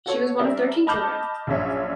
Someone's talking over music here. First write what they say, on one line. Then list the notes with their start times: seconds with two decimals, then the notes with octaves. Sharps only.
She was one of thirteen children.
0.06 F#4 A4 C#5
0.39 G3 D4 A#4 E5
0.87 D#5 A5 B5 D6 F6 G6
1.47 A#1 F#2 D4 C#5 E5 G#5